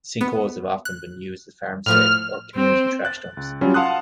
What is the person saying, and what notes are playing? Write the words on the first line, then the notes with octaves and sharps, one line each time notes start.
Sinkholes have often been used as farmstead or community trash dumps.
B3
F#6
A2 F3 A3 F6
C4
F#6 A6
C#2
F#3 G3 C#4 F4
F5 F#5 A5 C6 D#6 F#6